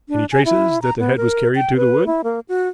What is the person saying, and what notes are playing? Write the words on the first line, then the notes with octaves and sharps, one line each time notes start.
"Any traces that the head was carried to the wood?"
D4
G#5
E4
A#5
B3
A#4
G5
B4
E4
A#3
F#4